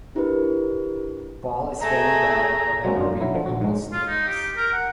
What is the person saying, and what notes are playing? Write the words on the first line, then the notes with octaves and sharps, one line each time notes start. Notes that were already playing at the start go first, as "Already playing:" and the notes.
Paul is very bad at remembering people's names.
D4 E4 G4 A#4 B4
A3 G#4 A#5
F#3 G#3 A#3 C4 C#4
F#2 D4 F4
B1 F#3 E4 A#5
D3 F3
A#1 F#4
G#2 G#3
F4
D#4
G4
A#4
F#5